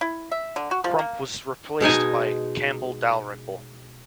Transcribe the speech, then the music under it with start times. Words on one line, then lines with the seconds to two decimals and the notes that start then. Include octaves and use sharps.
Crump was replaced by Campbell Dalrymple.
0.01 E4
0.31 E5
0.56 D3
0.71 F#4
0.84 F3
0.99 A#3
1.81 B2 G#3 D#4 G#5